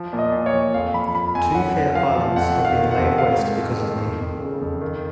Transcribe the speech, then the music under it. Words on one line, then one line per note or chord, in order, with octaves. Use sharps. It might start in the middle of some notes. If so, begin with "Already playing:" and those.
Two fair islands have been laid waste because of me!
Already playing: F3
A#2
D#5
A#2
C#5
F3
F2 F5
F3 B5
F3 B5
F2 G#5
F#2 F#5
F#2
F3 F5
F3
F2 F#5
D#3
F5
D#3
F#5
F2
D#3 F5
G#2
G#2
D#3
F2
F2
C#3
F2
D#3